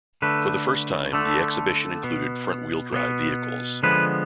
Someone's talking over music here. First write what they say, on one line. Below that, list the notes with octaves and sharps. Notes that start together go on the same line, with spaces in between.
For the first time the exhibition included front-wheel drive vehicles.
D3 A3 B4
D3 A3
B2 B3
B2 B3
D3 F3 G#3 B3 B4